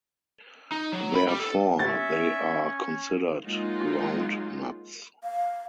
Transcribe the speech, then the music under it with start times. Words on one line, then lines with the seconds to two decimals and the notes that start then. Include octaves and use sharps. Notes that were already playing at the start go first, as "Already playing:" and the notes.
Therefore, they are considered ground nuts.
0.72 D#4
0.93 F#3
1.15 B5
1.28 G3
1.40 A4
1.79 C#4 E5 A6
3.43 F#3 G#3 A#3 D#4 F4
5.23 F5